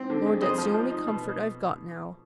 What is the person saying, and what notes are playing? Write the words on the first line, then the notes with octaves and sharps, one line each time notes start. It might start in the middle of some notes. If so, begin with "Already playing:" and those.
Lord, that's the only comfort I've got now!
Already playing: C4
D3
G#3
F2 C5 D#5
F3
F3
D#4
B2